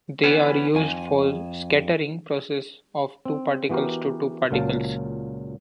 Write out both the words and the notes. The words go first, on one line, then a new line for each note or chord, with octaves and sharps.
They are used for scattering processes of two particles to two particles.
E3 B3 C#4
F2 G#5
C4
E3 B3 F#4 G4 A#4
C#2 A#2 F#3 F5 A5